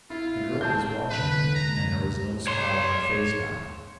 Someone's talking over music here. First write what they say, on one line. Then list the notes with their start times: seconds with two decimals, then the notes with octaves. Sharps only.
The girl was watching me, and there was no smile on her face now.
0.10 E4 F4
0.61 C4 A5 G6
1.10 C2 B2 D3 B4
1.55 D#2 G#2 C3 A#5
2.47 C#5 C6